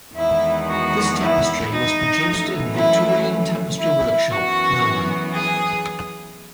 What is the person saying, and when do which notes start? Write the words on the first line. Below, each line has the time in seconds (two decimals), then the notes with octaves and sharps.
This tapestry was produced in the Victorian Tapestry Workshop, Melbourne.
0.16 E2 D#3 G#3 B3 E4
0.68 F#4
1.20 E4
1.71 D#4
2.23 F#2 E3 A3
2.74 E4
3.78 E4
4.30 F#2 E3 B3 F#4
5.33 G#4